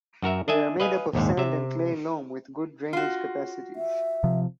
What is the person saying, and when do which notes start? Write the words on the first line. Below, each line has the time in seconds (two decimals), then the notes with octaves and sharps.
They are made up of sand and clay loam with good drainage capacities.
0.22 F#2 F#4 A#4 E5
0.48 D4 D#5 E5 G#5
0.80 B4 D#5 F5 G#5
1.13 A#1 D#2 G#2
1.37 C3 E5
2.93 F4 F#4
3.76 E5
4.24 C3 F3